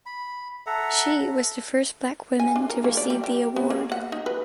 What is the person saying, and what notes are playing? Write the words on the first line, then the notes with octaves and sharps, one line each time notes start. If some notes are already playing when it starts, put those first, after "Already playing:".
She was the first black woman to receive the award.
B5
A4 E5 F#5 A#5
G#5
D4
A#4
A#3
D5
G3
G4
B3
A#3
F#5
D#4
B4